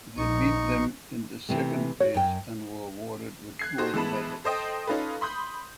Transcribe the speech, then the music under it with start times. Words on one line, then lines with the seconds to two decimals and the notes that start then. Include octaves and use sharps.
They beat them into second place and were awarded with gold medals.
0.18 A#1 D#4 C#6
1.49 C3 E3 A3
2.01 F#4 C#5
2.14 F#2 G5
3.59 F#6 G#6 C7
3.78 D#4 F#4 G4 A4 C5
3.94 E3 G#3 B3 A5 B5
4.44 A4 C5 D#5 G5
4.87 C#4 D#4 F4 A4 B4
5.21 B5 C6 D#6 G6